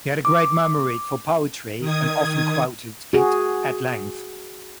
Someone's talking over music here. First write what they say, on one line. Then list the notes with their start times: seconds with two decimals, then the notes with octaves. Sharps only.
He had a great memory for poetry and often quoted it at length.
0.25 D6
1.79 D#3 D#6 G#6
3.13 F#4 G#4